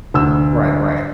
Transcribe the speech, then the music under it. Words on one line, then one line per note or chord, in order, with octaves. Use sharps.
Right, right.
D2 E6